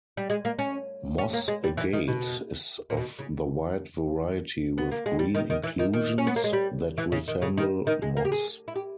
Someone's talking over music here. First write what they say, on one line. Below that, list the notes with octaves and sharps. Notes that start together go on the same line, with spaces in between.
Moss agate is of the white variety with green inclusions that resemble moss.
G3
G#3
A#3
C#4
C#4
A#3
G#3
G3
E3
D#3
B2
A#2
B2
C#3
B3
A#3
G#3
G3
D#3
D#3
E3
D#3
D#3
C#4
B3
A#3
G#3
G3
E3
C#3
D#3
C#3
D#3
D#3
G#3
A#3
G4
G#4
E4
G4